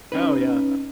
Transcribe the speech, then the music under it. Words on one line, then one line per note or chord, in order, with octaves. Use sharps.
Oh, yeah,
C#4 D#4 B4